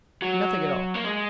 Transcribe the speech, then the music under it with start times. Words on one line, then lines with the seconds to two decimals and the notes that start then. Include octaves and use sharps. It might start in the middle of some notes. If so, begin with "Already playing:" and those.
"Nothing at all."
0.22 F#3
0.95 A#3
1.05 G#3